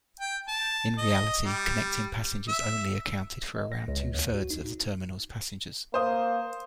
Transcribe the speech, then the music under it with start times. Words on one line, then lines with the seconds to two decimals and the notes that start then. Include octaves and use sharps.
In reality, connecting passengers only accounted for around two-thirds of the terminal's passengers.
0.20 G5
0.48 A5
0.98 D#5
1.44 G3
2.48 E5
3.57 D#5
3.72 A#6
3.88 C#2
4.14 D#2
4.34 F#4
4.50 D#4
5.94 A#3 C5 D#6